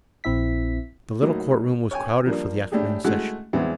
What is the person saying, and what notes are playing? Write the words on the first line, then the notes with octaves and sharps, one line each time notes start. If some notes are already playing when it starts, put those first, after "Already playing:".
The little Court Room was crowded for the afternoon session.
A#1 C4 E4 E5 B6
A2 F#3 A#3 D#4
C#5 G5 G#5
F3 G3 A#3 D4
A2 D4 G4 G#4
G#3 A3 E4 F#4 F#6
E2 G#3 B3 C4